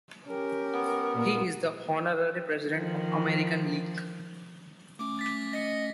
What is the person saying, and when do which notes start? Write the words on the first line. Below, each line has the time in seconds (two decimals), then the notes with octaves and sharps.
He is the honorary President of the American League.
0.27 C#4 G4 A#4
0.73 B3
1.15 A#2
2.68 D#3 F3
4.99 A3 C#4 D6
5.19 A6 B6
5.53 D#5 A#6 B6 C#7